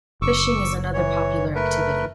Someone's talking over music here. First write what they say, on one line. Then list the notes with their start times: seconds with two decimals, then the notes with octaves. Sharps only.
Fishing is another popular activity.
0.22 F#1 C#6 D6 E6
0.93 E3 C#5
1.55 A3 A#4 B4